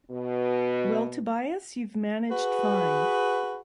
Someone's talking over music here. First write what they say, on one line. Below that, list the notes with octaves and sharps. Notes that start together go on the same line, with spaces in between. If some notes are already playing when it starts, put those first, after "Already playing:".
Well, Tobias, you've managed fine.
B2
F#4 G#4 B4